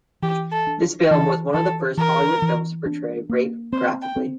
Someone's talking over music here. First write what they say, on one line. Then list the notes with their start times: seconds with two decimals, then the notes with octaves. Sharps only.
This film was one of the first Hollywood films to portray rape graphically.
0.22 E3 G4
0.52 A4
0.67 D4
1.11 E3 A4
1.54 E3 A4
1.97 E3 A#4
2.42 E3
2.86 D4
3.29 A#3
3.73 C4 C5
4.02 G5
4.16 C4